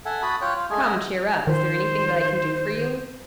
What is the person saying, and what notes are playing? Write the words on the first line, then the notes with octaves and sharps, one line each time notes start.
"Come, cheer up; is there anything that I can do for you?"
A4 E5 F#5 G#5
F#4 A5 B5 D#6
F4 C#5 G5 F#6
F4
G#3 A3 G#4 G#5
D#5 E5 F#5 G#5
D#3 C5